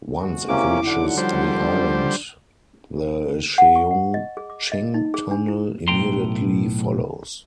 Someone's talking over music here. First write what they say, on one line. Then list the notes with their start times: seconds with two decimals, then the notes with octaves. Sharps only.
Once it reaches the island, the Cheung Ching Tunnel immediately follows.
0.18 F2 G#3 F#4
0.49 C3 A#3 C#4 E4 D6
0.85 D3 F#3 D#4 F#5
1.17 F3 G3 C5
1.55 D4
3.58 F#5
3.76 C#6
3.91 F#5
4.14 D#5
4.37 G#4
4.50 D6
4.72 D#5
4.94 D#4
5.14 G#4
5.31 D4
5.48 E4
5.88 B1 A2 G5 A#5 C6